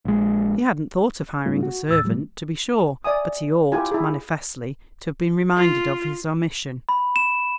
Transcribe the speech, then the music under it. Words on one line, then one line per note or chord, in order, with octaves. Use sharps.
He hadn't thought of hiring a servant, to be sure, but he ought, manifestly, to have been reminded of his omission.
A#1 G#3
G#2 G3 A3 B3 D#4 F4
F#4
D#2 A2 E6 A6
A2 F3 G3 A3
D5 E5 G#5 D#6
E4 F4 G4 G#5
E4 G#4
F4
B5
E7